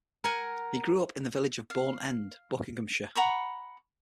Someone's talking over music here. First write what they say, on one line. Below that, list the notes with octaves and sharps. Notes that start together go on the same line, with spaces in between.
He grew up in the village of Bourne End, Buckinghamshire.
A#4 F#5 G#5
F5
F#5 A#5 B5 C#6